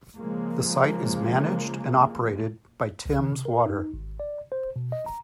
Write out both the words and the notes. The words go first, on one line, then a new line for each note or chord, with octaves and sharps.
The site is managed and operated by Thames Water.
C#3 F3 G#3 A#3
C2
D#3
C3
A#4
D#4
G#1
D5
C5
B2
D#5
A#5